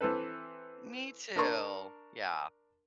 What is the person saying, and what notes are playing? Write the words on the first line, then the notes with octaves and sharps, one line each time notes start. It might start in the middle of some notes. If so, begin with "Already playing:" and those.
Me too, yeah.
E3 C4 A4 B4
D4 A#4 C6 C#6